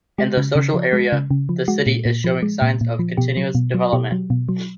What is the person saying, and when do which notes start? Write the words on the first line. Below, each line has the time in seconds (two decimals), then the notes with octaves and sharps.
In the social area the city is showing signs of continuous development.
0.18 G#3 G4
0.37 C#3
0.55 C#3
0.74 F3
0.93 G#3
1.12 C#3
1.31 C#3
1.49 F3
1.68 G#3 F#4
1.86 A#2
2.05 A#2
2.24 F3
2.42 G#3
2.62 A#2
2.81 A#2
2.99 F3
3.17 B2 G4
3.37 F#3
3.55 B2
3.74 F#3
3.93 B2 G4
4.12 F#3
4.30 B2
4.49 F#3